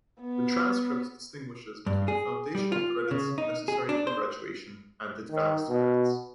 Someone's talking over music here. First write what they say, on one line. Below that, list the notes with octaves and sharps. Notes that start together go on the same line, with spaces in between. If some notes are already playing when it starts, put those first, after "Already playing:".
The transcript distinguishes between "foundational credits" necessary for graduation and "advanced credits".
B3
G2
G#4
G3
F4
C#3
D#4
G#4
D4
C5
D#3
B2